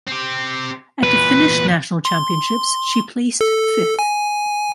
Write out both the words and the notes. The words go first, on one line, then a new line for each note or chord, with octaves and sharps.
At the Finnish national championships she placed fifth.
C4 G4
E2 A#2 B4
C6
A4
G#5